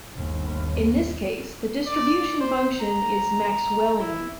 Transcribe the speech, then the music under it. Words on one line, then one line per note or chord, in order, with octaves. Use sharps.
In this case, the distribution function is "Maxwellian".
G1 D#2
D5
C5
A#5
E4